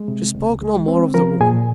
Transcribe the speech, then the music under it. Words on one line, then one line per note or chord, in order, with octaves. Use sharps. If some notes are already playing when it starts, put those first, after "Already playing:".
She spoke no more of the "woman."
Already playing: G#3
C3
C#2
G#3
C4
F3 A#4 A#5
A#2 G#4 G#5